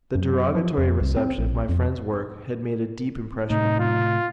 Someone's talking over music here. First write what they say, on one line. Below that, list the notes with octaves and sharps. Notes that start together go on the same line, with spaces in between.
The derogatory reception of my friend's work had made a deep impression upon me.
F#2
F3
F2
C2
C4
A#1
F2
A2 C3 D#4
F4